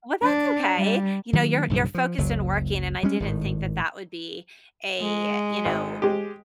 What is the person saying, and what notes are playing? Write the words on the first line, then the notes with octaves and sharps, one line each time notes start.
Well, that's okay, you know, you're you're focused on working, and I didn't think that that would be a, you know
D4
G3
D#3 F#3 G3 A#3
B1 G2 C#3 F3
F3
F#1 C#2 F#3
G3 G#3 C#4
G#1 A2 D#3
G#3
G#1
G#3 G4